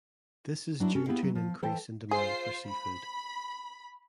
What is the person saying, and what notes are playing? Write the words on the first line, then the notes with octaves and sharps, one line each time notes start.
This is due to an increase in demand for seafood.
F#3 D4 E4
C#4 F#4 A4
B3 E4 G4 G#4 F5
F#3
F3
E3 A4 C5 G5 A5
F4 G#4 C5 C7
B5